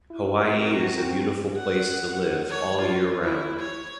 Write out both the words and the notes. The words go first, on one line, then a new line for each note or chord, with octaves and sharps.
Hawaii is a beautiful place to live all year round.
E4
C3 F#4 A#4
C4
F#5
C#5
F4
E4
C#5